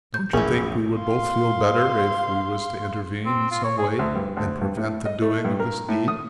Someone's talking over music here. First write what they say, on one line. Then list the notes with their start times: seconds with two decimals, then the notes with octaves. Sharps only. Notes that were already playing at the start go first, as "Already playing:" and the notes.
Don't you think we would both feel better if we was to intervene in some way and prevent the doing of this deed?'
0.14 G6
0.33 A1 F2 E3 F3 C#4 G#4 A#4
1.01 F5 C6
3.26 C4
3.51 F4
3.64 C#5
3.78 G#4
3.99 D2
4.15 G2
4.37 D2
4.61 G2
4.77 A2
5.06 D#5
5.22 A3
5.45 G2
5.60 A#4
5.89 A2
6.08 D#6